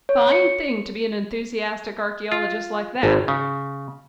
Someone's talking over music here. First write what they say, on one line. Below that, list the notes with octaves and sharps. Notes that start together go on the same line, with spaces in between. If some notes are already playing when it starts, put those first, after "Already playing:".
Fine thing to be an enthusiastic archæologist like that.
C#5
C#7
F4
G#1
C#3